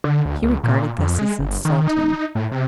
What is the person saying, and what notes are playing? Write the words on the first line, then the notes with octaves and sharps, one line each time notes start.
He regarded this as insulting.
D3
D2
C#2
A#2
F2
G#3
G1
D#3
D#4
A2
C3